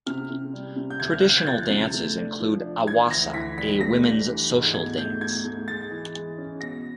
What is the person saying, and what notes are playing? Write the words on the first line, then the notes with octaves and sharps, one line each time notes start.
Traditional dances include "awasa", a women's social dance.
C3 F6
C3
G3
C3
G6
D2 G#6
F6
D2 F#6
G6
G#6
F3 A6
C3
A3
D4
F3
D4
E3 G#6
D2 A#6
E3 B6
G3 B6
A3 A#6
D4
E3
G#2
B2 G#6
A3 G6
A3 G#6
A3
G#3 A6
E3
G#3
C#4
B2 A#6